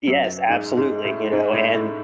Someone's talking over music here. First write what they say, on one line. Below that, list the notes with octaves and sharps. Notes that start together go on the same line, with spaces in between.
yes, absolutely, you know, and
F#2 F#3
G#2 G#3
G#2 G#3
A2 A3
G#2 G#3
A2 A3
A2 A3